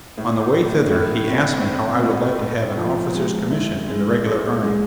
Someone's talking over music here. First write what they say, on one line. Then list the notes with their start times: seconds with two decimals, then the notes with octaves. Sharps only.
On the way thither he asked me how I would like to have an officer's commission in the regular army.
0.18 A2
0.54 A3
0.92 A2
1.29 C4
1.65 C4
2.02 A2
2.40 A2
2.77 F3
3.14 G#3
3.50 E4
3.88 G#3
4.25 G#3
4.62 G#3